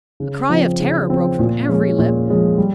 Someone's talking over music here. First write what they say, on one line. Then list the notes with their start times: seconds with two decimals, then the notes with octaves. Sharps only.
A cry of terror broke from every lip.
0.20 C#3
0.49 F3 C4
0.80 C#3
1.09 F3 C4
1.39 A#2
1.69 F3 G#3 C#4
1.98 A#2
2.28 F3 G#3 C#4
2.58 G3